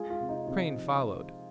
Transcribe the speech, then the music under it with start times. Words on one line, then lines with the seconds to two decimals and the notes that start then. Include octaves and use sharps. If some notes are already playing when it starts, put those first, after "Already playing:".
Crane followed.
Already playing: G#3 F4 G#4
0.10 F4
0.20 C3
0.29 D#4
0.47 C3 F4
0.76 F3